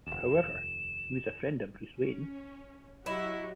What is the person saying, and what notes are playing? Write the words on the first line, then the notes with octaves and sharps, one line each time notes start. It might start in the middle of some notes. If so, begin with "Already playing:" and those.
However, he was a friend of Bruce Wayne.
F1 D#2 E7
C#4
F#3 E4 F#4 G4 D#5